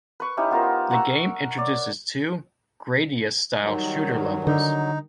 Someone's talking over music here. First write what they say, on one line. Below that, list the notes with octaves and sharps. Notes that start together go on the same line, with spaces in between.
The game introduces two "Gradius"-style shooter levels.
B4 C#6
C#4 D#4 E4 G4
B3 F4 A#4 C5
F#5 A#5 C#6 E6
C#5 D5
D#3 F#3 G3
D3 D#4